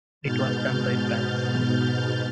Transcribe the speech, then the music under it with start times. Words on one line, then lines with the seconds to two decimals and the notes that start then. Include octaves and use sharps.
It was done by France.
0.22 G#2 B2 F6 G6 A6